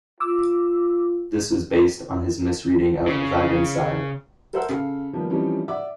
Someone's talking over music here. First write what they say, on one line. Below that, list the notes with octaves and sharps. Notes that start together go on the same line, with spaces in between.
This was based on his misreading of Wagenseil.
F4 D6 E6
C#3
A4 A#4 C5 E5 F#5 E6
C#3 A4 F5
D#3 F3 G3 A#3 B3 G4
E3 F3 G3 C4 C#4 D#4
D5 E5 F#5 D6